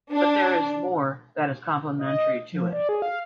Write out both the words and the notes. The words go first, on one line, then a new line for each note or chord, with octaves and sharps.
But there is more that is complementary to it.
D4
D#5
F3
D5
G#4
F5